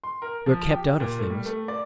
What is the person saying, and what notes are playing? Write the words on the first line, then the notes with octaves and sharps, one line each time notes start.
We're kept out of things.
C6
A#4
F3
G4
A#2
A3
G3
A3
D5